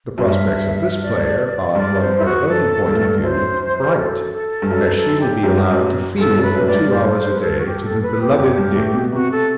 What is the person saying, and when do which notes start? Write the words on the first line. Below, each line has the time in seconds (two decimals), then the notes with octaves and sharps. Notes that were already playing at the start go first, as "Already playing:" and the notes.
The prospects of this player are, from her own point of view, bright, as she will be allowed to field for two hours a day to the beloved Dick.
0.18 F#2
0.28 G2 E5
1.02 D5
1.75 G2 D5
2.00 C5
2.19 E4
2.24 F#4
2.48 F#2 A4
2.86 G2
2.94 A2
3.02 G2
3.23 F#2 C5
3.97 A4
4.33 A4
4.62 G2
4.71 F#2 A4
4.95 A4
5.20 G4
5.43 F#2
5.57 G2
5.71 F#2
6.18 G2 A4
6.30 G2
6.36 F#2
6.43 B4
6.55 F#2
6.66 A2 D5
6.73 G2
6.91 G2 C5
7.16 C5
7.33 B4
7.41 A4
7.58 F#4
7.65 G4
7.84 A4
8.02 B4
8.21 G4
8.31 E2
8.39 F#2
8.58 G2
8.76 A2
8.94 B2
9.12 C3 F#4
9.31 A4